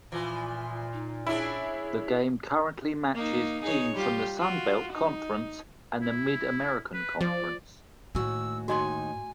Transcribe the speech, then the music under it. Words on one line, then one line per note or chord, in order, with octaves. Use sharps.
The game currently matches teams from the Sun Belt Conference and the Mid-American Conference.
A#2 E3 F3 F4
D#4
C#4 D4 E4 G#4 C#5
A#3 D#4
D#4 G#4 C#5
G3 F4 G4
F4 F#4
D#4
E4
B4
F3 D5
D#2 A2 F#4 G#5 E6
D#2 D#4 F#4 D#5 F#5 G#5 C6